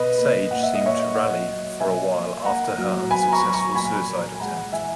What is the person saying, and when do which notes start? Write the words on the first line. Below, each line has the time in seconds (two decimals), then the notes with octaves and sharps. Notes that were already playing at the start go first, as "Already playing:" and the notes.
Sage seemed to rally for a while after her unsuccessful suicide attempt.
Already playing: B2 B4 D#5
0.18 A#3
0.50 A#2 F#5
0.63 E5
0.75 D#5
0.84 A#3 C#5 E5
1.15 A#3 D#5 F#5
1.48 F#3
1.80 B2 E5 G#5
2.13 A#3
2.45 A#3 F#5 A#5
2.78 F#3
3.10 B3 G#5 B5
3.33 A#5 C#6
3.43 F#3
3.54 A#5 C#6
3.75 A#2 G#5 B5
4.08 A#3
4.35 G#5
4.40 G#3 F#5 A#5
4.72 E3 E5 G#5